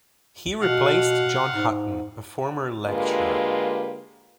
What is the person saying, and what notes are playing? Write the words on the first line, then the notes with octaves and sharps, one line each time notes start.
He replaced John Hutton, a former lecturer.
B2 F5 F#5
G#2
D3 G#3 A#3 F4 G4 B4